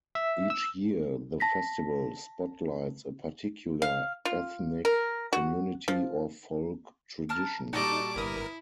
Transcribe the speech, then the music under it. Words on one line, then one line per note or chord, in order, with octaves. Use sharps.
Each year, the festival spotlights a particular ethnic community or folk tradition.
E5
E6
A5 A#6 B6
F5
F4
A#4
F#4
F3
A#4 A5 F6
A#2 G3 D#4 F#4 A4 D#5 A5 D6
G1 E4 A#4 B4 D#6